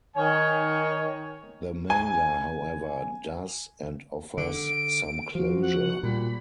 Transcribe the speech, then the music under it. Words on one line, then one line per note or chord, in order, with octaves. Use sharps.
The manga, however, does and offers some closure.
D#3 C#5 G#5
G#5
D3 D7
F3 F#4
F#5
A#2 G3 B5